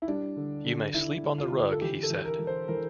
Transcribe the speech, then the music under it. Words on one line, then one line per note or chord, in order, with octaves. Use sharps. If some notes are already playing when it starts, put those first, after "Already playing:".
"You may sleep on the rug," he said.
E4
G3 D4
D3
D3
D3 E4
D3
F4
D3
A4
E3 G4
A4
E3
A#4
E3
C5
E3 A#4